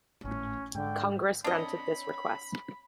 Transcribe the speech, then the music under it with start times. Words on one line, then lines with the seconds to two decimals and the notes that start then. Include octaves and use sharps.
Congress granted this request.
0.25 G#1 A2 C#4
0.75 G#2 D3 G5
1.44 C4 D4 C#5 D#5 B5